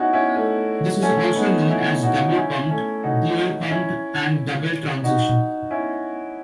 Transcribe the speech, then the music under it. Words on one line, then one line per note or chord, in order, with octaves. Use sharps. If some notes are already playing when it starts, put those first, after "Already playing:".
This is also known as double pumped, dual-pumped, and double transition.
Already playing: C#4 D#4 E4 F#4
C#4 E4
A3 C#4
A3 C#4
B3 D#4
C#4 E4
D#4 F#4
D#4
C#4 E4
A3 C#4
D#4 F#4
C#4 E4
D#4 F#4
C#4 E4